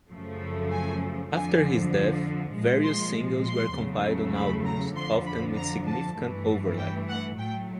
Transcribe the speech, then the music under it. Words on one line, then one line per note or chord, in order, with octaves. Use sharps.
After his death, various singles were compiled on albums, often with significant overlap.
F#2 C#3 F3 A3
G#5
F2 D3 F3 G#5
A#2 F3 G#3
C6
C6
E2 C#3 F#3 A3
B5
A#5
F2 D3 F3 C6
B5
A#5
A5
G2 E3 A3
G5
F#5
A2 F#3 A3 G5